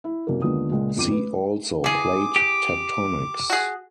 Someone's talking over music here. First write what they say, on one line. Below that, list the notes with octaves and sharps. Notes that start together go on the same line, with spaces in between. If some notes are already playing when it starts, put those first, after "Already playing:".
See also Plate tectonics.
E4
C2 F#2 A#3
D#2 D3 G#3 B3 F4 D#6
C#2 A#2 G#3
G1 F2 D6 D#7
B4
E3 G#4 D6
G4
F#4 G#4